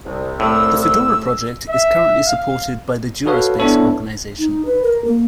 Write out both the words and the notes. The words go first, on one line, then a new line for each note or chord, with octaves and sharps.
The Fedora Project is currently supported by the DuraSpace organization.
C2
A2 E6
E5
F5
F#4 A4 B4 C#5 F5
B3 D4 E4 A4 C#5
D#4
B4
A#4
A#3